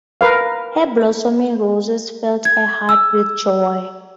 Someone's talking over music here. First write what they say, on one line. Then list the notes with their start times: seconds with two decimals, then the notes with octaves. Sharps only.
Her blossoming roses filled her heart with joy.
0.21 A#4 B4 F5
2.45 G#6
2.89 E6